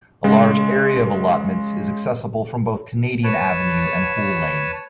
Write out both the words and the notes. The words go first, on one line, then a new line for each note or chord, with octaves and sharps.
A large area of allotments is accessible from both Canadian Avenue and Hoole Lane.
C#3 G#3
B4 C#5 A5